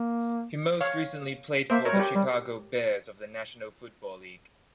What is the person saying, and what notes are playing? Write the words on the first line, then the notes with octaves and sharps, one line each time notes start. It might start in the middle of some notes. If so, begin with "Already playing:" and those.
He most recently played for the Chicago Bears of the National Football League.
Already playing: A#3
C#5 F5
A#3 C5 E5
A#4 C#5
G3
G4
G3